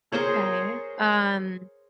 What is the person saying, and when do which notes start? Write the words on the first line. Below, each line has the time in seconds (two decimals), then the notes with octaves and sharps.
Okay. Um
0.12 G#4 A#4 C5 C#5